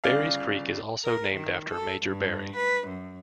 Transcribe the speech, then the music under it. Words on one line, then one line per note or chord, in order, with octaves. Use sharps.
Berrys Creek is also named after Major Berry.
G1 C#3 D5 F5
A#4
D#3
A4
G2
B4
F#2